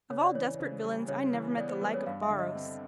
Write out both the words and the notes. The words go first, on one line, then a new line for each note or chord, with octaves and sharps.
Of all desperate villains I never met the like of Barros.
C#3 C#5
D5
E3 C#5
C#3 C5
G3
C#3 C#5
E3
B3 D5
C5
G3 B4
C#5
G2 F5
E5
D3
D#5
C4